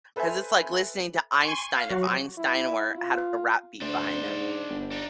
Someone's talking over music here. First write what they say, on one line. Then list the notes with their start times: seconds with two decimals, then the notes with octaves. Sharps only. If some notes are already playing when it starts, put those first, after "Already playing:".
'Cause it's like listening to Einstein, if Einstein were had a rap beat behind him.
0.16 A4 B4 C5 E5 G#5
1.41 G#5 C6 C#6
1.76 F5
1.90 F#3 F#4
2.38 E4
2.97 F4
3.81 D2 D4 C5
4.21 G#2
4.69 G1
4.91 D4 D#4